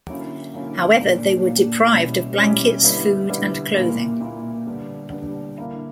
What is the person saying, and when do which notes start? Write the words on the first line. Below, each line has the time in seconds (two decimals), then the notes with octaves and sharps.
However, they were deprived of blankets, food, and clothing.
0.08 D3 F#3 A#3 C#4 E4
0.54 D3 F#3 A#3 C#4 E4
0.99 A#2 A#3 D4
1.45 A#2 A#3 D4
1.91 B2 G3 C#4 E4
2.37 B2 G3 C#4 E4
2.82 D3 G3 B3 E4
3.29 D3 G3 B3 E4
3.74 A#2 A#3 E4
4.20 A#2 A#3 E4
4.66 D3 G3 B3 D4
5.11 D3 G3 B3 D4
5.58 D3 A#3 E4